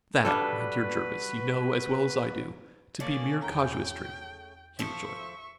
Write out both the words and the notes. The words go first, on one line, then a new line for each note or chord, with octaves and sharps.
"That, my dear Jervis, you know, as well as I do, to be mere casuistry," he rejoined.
G3 D4 F#4 A4 B4
C#3 A3 A#3 C#4 D5
E2 G5 A#5
F3 A4 C5 E5 C#6